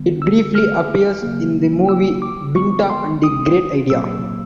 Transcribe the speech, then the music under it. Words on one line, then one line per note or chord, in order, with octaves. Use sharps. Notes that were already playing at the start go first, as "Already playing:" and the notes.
It briefly appears in the movie Binta and the Great Idea.
Already playing: D3 G3 B3
E6
F6
C#3 F#3 A#3
E6
D6
D3 F3 G#3 B3 C#6
C6
D#6
A#2 F#3 A#3 E6